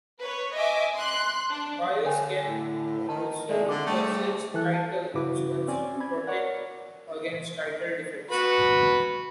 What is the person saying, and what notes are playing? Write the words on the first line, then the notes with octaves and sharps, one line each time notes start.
Buyers can also purchase title insurance to protect against title defects.
B4 C#5
D#5 E5 G#5 D6
C6 F#6
D4
D3 C#5 G5 G#5
A2
D#3 A5
A2 C3 G#3 D5 E5
D3 D6
G3 A3 G#4 C5
E3 A4 F#6
A5
G2 C#3 E4 F#4 B4 D6
C4 C#4 D5 G#5
B5 G#6
A#4 C#5 D5 F#5
F#4 B4 B5